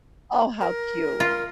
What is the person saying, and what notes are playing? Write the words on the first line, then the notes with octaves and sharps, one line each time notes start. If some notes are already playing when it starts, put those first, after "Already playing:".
Oh, how cute.
A#4
F4